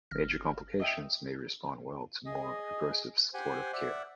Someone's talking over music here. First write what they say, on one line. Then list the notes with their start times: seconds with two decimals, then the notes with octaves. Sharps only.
Major complications may respond well to more aggressive supportive care.
0.11 G1 F6 A#6
0.80 D#5 E5 G5
2.26 G#4 D#5
3.34 G4 C5 F#5 G#5
3.73 D5 E5 F#5